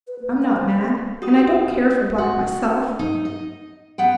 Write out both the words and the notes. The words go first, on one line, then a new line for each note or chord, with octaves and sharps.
I'm not mad, and I don't care for black myself.
B4
A#3
F5
C5
F#4 G4 D#6
F#4
D#4
D#5
B3 F#5 G5